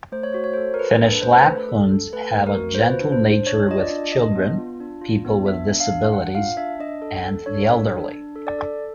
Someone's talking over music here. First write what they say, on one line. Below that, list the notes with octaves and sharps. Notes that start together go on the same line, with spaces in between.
Finnish Lapphunds have a gentle nature with children, people with disabilities, and the elderly.
A3 C5
C#5
F#4 C5
C#5
C5
A4
A#4
A4 B4
D4
B4
A3 C5
B4
A4
A4
A4
A3 B4
A3
A#4
F#4
C5
F4 B4
D4
C5
D4
D4 C#5
F4 D#5
D5
D4
D4 D#5
B3
F4
D4
F4
B3
D4 E5
D4
F5
D4
D4 F#5
F4 F5
D4 E5
D4 D#5
A4
A4
D4 C#5
A4
D4
D4
A4
D5
A4